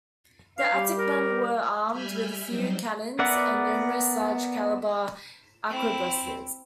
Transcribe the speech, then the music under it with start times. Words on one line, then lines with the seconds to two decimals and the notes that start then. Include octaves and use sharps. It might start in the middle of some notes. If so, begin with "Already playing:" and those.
The Atakebune were armed with a few cannons and numerous large-caliber arquebuses.
0.59 D4 F#4 B4 F5
0.73 G3 G4
0.97 A#4
1.91 G3 E5 G#5 B5 F6 G6
2.48 F#3 G3 C4 D#4 C5
3.19 B3 A#4 D5 E5 F#5
5.70 C4 E4